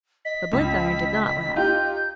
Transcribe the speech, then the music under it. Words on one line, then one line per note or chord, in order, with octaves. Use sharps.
But Blenkiron did not laugh.
D#5 B6
C#2
D#4 F4 G4 G6